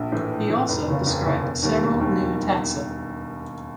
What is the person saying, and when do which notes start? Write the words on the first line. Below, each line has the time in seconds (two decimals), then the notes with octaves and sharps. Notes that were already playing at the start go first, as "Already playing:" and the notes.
He also described several new taxa.
Already playing: A#1
0.12 A2 E3
0.31 A#1
0.49 A2 E3
0.68 F1
0.87 D#2 C#3
1.06 F1
1.25 D#2 C#3
1.44 E1
1.62 D#2 D#3 G3
1.82 E1
2.00 D#2 D#3 G3